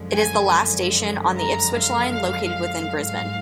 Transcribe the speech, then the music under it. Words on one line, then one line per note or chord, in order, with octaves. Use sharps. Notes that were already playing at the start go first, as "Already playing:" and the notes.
It is the last station on the Ipswich line located within Brisbane.
Already playing: F#2 D3 F3 G#3
G#5
A#5
F5
G#2 F#3 F5